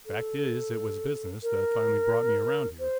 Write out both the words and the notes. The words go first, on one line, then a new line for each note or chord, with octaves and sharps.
Fact is, it was business that finally brought me around here.
A4
A#4
C5